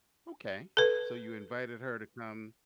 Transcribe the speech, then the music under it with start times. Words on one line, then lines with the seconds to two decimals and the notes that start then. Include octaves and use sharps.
Okay. So, you invited her to come
0.77 A4 B4